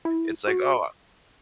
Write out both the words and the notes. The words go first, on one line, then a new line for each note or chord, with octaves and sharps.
it's like, "Oh"
E4
F#4